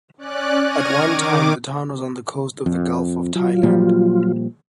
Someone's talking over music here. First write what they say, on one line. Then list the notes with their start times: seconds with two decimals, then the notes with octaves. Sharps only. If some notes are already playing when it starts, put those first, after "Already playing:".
At one time the town was on the coast of the Gulf of Thailand.
0.18 C#4 D5 F#6
0.66 C#6 F6 G#6 A#6 D#7
0.95 D#3 D6
2.66 F2
3.35 F#3 F4
3.63 A#2 F3 G3